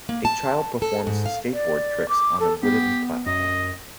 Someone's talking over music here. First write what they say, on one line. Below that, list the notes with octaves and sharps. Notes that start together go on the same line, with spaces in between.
A child performs skateboard tricks on a wooden platform.
A#3
A5
A4
G#2
F5
D5
D6
A4
B3 G4
F#2 D#5